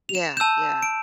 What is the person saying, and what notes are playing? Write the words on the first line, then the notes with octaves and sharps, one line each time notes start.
Yeah, yeah.
F7
E7
A5 E6 G6 E7
D7